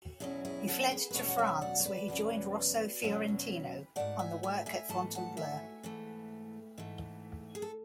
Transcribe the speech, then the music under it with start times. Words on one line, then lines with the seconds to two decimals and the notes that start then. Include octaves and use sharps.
He fled to France where he joined Rosso Fiorentino in the work at Fontainebleau.
0.20 E2 B2 F#3 C#4 E4 G#4
0.45 E4 G#4
0.68 F#4 A4
0.91 G#4 B4
1.11 B4
1.14 E2 B2 F#3 C#4 A4 C#5
1.28 F#5
1.38 E5 G#5
1.61 D5 F#5
1.80 C#5
1.85 B4 D5
2.08 E2 B2 F#3 C#4
3.02 E2 B2 F#3 C#4
3.96 G#2 E3 A3 D5 F#5
4.19 E5 G#5
4.43 E5 G#5
4.66 E5 G#5
4.89 G#2 E3 A3 A5
5.15 F#5 A5
5.37 E5 G#5
5.83 G#2 E3 A3
6.78 G#2 E3 A3
7.55 G#4
7.62 A4